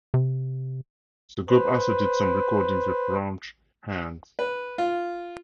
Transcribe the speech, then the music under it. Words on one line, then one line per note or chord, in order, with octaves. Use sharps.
The group also did some recordings with Raunch Hands.
C3
B4 C5
B4
F4